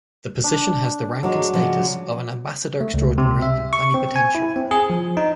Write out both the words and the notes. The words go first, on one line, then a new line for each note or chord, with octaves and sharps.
The position has the rank and status of an Ambassador Extraordinary and Plenipotentiary.
D4
F#3 G#3 A4 D5
C#3 F3 G#3
A3
C#2
C3
E5
C#6
C4
G#5
E4
C4
G#4
F3
D#4